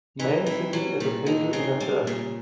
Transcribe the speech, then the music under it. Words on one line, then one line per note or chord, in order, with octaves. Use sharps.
Men sitting at a table in a church.
E3 D#4
E3 C4
F#3 G3
A#2 D#3
D3 D#4
C#3 C4
C3 G3
A#2 C#3